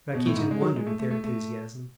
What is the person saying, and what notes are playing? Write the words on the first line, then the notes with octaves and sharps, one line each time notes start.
Rakitin wondered at their enthusiasm.
B2
A2
G#2
G#3
F#3
G#3
A3
A3
A3
A3